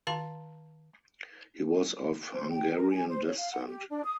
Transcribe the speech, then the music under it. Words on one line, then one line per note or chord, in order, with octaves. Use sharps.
He was of Hungarian descent.
D#3 F5 A5 A#5 C6
C5
G5
A#4
G#5
C5
C#5
F5
F#5
G4
D4
D#6